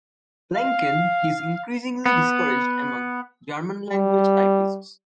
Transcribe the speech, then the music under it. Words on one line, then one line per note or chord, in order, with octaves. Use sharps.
Plenken is increasingly discouraged among German-language typists.
F5
B3
G3